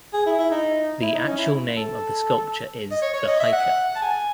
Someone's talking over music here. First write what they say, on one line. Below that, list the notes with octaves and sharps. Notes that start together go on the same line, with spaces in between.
The actual name of the sculpture is The Hiker.
G#4
E4
E4
D#4
E4
D#4
C#4
E4
A4
D#5
C#5
C#5
D#5
E5
F#5
A5
G#5